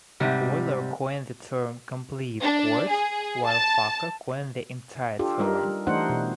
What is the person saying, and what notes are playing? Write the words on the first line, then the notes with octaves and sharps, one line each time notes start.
Euler coined the term "complete chord", while Fokker coined the entire term.
G#2 C3 G3
D4
G#4
A5
D4 F4 G4 A4
G3 D#4 A#4
E3 A3 D4 D#4 C5 F#5
B2